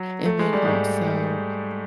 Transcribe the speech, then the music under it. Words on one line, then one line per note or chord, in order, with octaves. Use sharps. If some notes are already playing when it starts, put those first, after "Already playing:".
and then, also
Already playing: F#3
A3
G#3
G3
G#2 G#3